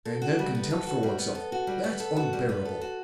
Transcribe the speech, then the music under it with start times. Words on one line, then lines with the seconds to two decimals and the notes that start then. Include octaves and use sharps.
And then contempt for oneself, that's unbearable.
0.05 A4
0.22 F#4
0.39 G3
0.55 B3
0.71 A4
0.87 F#4
1.03 G3
1.19 B3
1.35 A4
1.52 F#4
1.67 G3
1.84 B3
2.00 A4
2.16 F#4
2.33 G3
2.49 B3
2.65 A4
2.81 F#4